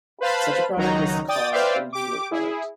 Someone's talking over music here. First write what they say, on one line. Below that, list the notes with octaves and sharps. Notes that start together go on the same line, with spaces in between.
Such a product is called an Euler product.
B4 C5 F5 A5 B5
C#2 D#3 F#3 D#4 F#4 A#5
D5 G5 D#6 A6
B4 C5 D5 E5 F5 G5
G4 D6
E4 G#4